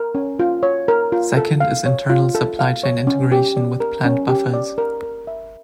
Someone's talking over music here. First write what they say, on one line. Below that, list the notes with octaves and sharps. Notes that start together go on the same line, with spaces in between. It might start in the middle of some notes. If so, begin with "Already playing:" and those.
Second is internal supply chain integration with planned buffers.
Already playing: A#4
C#4
F4
C#5
A#4
F4
A4
F5
C#5
F4
A4
F5
C#5
C#4
G4
D5
A#4
C#4
G4
D5
A#4
A#4
E5